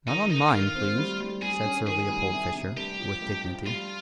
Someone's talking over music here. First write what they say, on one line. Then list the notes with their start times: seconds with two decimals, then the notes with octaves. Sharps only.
"Not on mine, please," said Sir Leopold Fischer, with dignity.
0.08 D#3 D#4
0.30 D#3 D#4
0.48 G4
0.53 D#3 F4
0.76 C4
0.98 G3
1.20 G3
1.42 G3 G#4
1.65 C#4
1.87 D#3 G#4
2.10 G3
2.32 C3
2.55 C3
2.77 G2 G4
3.00 F3
3.22 G2
3.44 F3
3.67 G3 F4